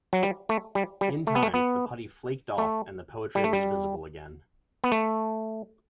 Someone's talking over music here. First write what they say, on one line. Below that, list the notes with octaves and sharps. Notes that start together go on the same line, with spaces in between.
In time, the putty flaked off and the poetry was visible again.
F#3
G3
A3
G3
G3
A3
B3
A3
B3
A3
G3
A3
G3
B3
A3